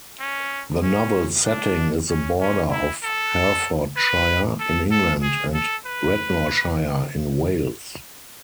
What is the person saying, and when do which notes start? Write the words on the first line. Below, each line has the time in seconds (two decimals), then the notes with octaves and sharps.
The novel's setting is the border of Herefordshire, in England, and Radnorshire, in Wales.
0.20 C#4
0.83 C#4
1.46 D4
2.09 C#4
2.40 C#4
2.71 E4
3.03 A4
3.97 B4
4.60 A4
4.91 A4
5.22 G#4
5.54 A4
5.86 B4